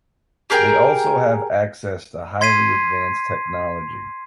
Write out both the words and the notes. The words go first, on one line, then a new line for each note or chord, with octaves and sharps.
They also have access to highly advanced technology.
G4 G#4 A#4 G5
C6 G#6 B6 C7 D#7